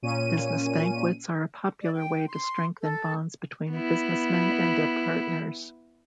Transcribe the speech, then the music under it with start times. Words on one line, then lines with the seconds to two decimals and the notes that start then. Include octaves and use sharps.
Business banquets are a popular way to strengthen bonds between businessmen and their partners.
0.02 A#2 C#4 D#7
1.82 D5
1.95 G5
2.29 C6
2.82 A4
3.73 B3 E4